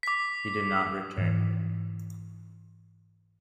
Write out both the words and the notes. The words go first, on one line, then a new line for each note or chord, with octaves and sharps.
He did not return.
D6 B6
G#2 E3